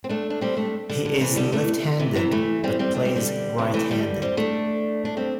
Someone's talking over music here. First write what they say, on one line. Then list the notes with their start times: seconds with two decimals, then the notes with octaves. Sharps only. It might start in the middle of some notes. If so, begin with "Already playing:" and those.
He is left-handed, but plays right-handed.
0.04 C4
0.09 A3 D4
0.30 D4
0.41 G3 C4
0.57 A3 D4
0.90 D3 G3
1.05 D3 G3
1.21 C3 E3
1.36 D3 G3
1.52 E3 A3
1.99 C3 E3
2.15 C3 E3
2.31 E3 A3
2.64 G3 C4
2.79 G3 C4
2.95 A3 D4
3.05 G3 C4
3.16 D3 G3
3.58 C3 E3
3.74 E3 A3
3.91 D3 G3
4.22 G3 C4
4.37 A3 D4
5.05 D4
5.17 G3 C4